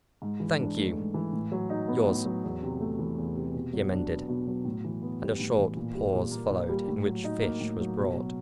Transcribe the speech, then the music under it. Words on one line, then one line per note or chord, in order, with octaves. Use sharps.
"Thank you--yours," he amended; and a short pause followed, in which fish was brought.
G#2
E3
D4
A3
G#2
E3
A2
F#3
D#4
B3
A2
F#3
E2
C3
A3
E3
E2
C3
B2
F#3
D4
B3
B2
F#3
A2
E3
B3
G3
A2
E3
A#2
G3
A#2
A#3
A#2
G3
A2
F#3
D#4
A#3
A2
F#3
B2
F#3